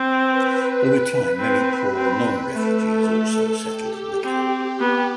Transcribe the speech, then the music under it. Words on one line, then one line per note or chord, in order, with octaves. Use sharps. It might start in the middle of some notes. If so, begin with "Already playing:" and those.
Over time many poor non-refugees also settled in the camp.
Already playing: C4
B4
C4 B4
C4
A3 A4
G4
C4
B3